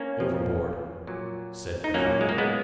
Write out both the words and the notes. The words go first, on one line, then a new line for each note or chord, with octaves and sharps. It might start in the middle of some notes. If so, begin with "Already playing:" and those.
"Overboard!" said the captain.
Already playing: A#3 C#4
F2 F3
A#2 F#3
D#4
A#2 F#3 A#3 C#4
G#3
A#3
G#3 B3